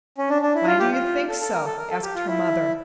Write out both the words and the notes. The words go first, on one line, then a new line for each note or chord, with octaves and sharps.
"Why do you think so?" asked her mother.
C#4
D4
D4
E4
F4
G4
F4
A4
A4
A#4
A4
A#4
A4
G4
F4
E4